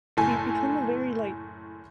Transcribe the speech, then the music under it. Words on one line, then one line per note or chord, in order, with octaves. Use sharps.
you become a very like
F#1 A2 A4 G#5